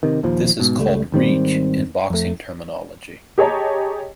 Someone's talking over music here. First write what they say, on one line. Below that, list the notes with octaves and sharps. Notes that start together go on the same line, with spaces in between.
This is called reach in boxing terminology.
C3 D#3
A#1 D#2 F3
G#2 B2
C#2 G3 A3
G#1 D#3 G3 C4
F2 A3
G4 G#4 C#5 D#5 A5 A#5